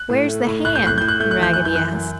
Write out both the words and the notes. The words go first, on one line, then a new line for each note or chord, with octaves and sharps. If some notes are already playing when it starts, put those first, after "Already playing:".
"Where's the hand?" Raggedy asked.
Already playing: F#6
A2
A3
A2
A2 F#6
G6
A2 F#6
A2 G6
F#6
A3 G6
F#6
E3 G6
F#2 F#6
G6
E3 F#6
F#2